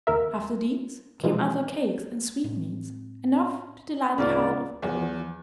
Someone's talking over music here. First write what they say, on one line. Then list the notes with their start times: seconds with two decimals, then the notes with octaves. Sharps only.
After these came other cakes and sweetmeats, enough to delight the heart of every one.
0.07 D#2 A#4 E5
1.23 B2 E3 F3 G#3
2.44 A2 G#3 C4
4.18 D1 C#2 C#4 D#4 F4 D5
4.82 E2